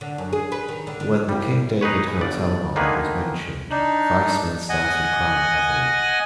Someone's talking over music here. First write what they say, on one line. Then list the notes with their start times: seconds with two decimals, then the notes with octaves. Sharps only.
When the King David Hotel bombing was mentioned, Weizmann started crying heavily.
0.01 D3
0.18 F#2
0.33 G#4
0.52 B4
0.69 D#3
0.87 D3
1.00 D3
1.29 C2 G3
1.81 D#4 G#4 B4 C#5
2.21 G1 D5
2.76 D3 D#3 A#3 D#4 G#4 B4
3.71 D4 D#4
4.69 D#5 F#5 G#5